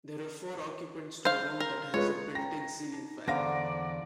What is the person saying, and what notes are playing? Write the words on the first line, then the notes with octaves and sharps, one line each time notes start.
There are four occupants to a room that has a built in ceiling fan.
C5 F5
A#4
G#3 F4 B4 C#5
G5 A#5 A#6
D#4
E2 D3 C5 D5 F5 F#5 A#5 A#6